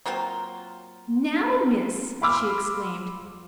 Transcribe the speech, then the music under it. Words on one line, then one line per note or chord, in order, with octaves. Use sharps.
"Now, Miss!" she exclaimed.
F#3 A#3 C4 F4
F5 B5 C6 D6 E6 F6